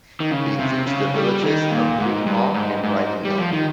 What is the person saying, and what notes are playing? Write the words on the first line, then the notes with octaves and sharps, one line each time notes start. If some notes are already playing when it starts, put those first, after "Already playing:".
It includes the villages of Broomhaugh and Riding Mill.
D#3
C#3
C3
C#3
G3
D#3
A#2
G#2
G2
G#2
G#2
G3
F3
D#3